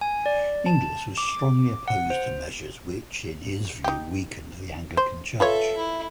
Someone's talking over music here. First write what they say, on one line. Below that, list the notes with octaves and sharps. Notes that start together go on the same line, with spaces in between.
Inglis was strongly opposed to measures which, in his view, weakened the Anglican Church.
G#5
D5
A5
D6
F#5
C5
D#4 G4
C5
F4 A4 B4 C#5 E5
E4